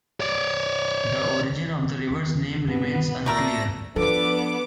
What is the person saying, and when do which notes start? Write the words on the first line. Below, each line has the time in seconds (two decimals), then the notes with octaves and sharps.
The origin of the river's name remains unclear.
0.20 C#5 D5
2.11 E2
2.67 G1 G2 B2 B3
3.26 A#2 A3 A#4 D5 E5 A#6
3.96 F3 B3 D4 A4 D6